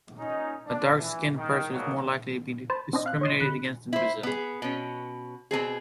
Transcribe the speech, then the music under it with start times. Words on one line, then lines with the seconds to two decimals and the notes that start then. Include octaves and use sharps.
A dark-skinned person is more likely to be discriminated against in Brazil.
0.18 A#2 C#4 D#4
0.66 D4
0.98 E3
1.35 D#3
1.71 G#2 B2 F#3 G3 A#3
2.70 C5 A5 B5
2.93 C4 D4 C5 D#5
3.06 F5 F#6
3.21 C#5 D#5 C6
3.40 D3 B5 F#6 C#7
3.93 E4 C5
4.23 B3 G#4
4.62 B2 C#4
5.51 B2 A3 C4 G#4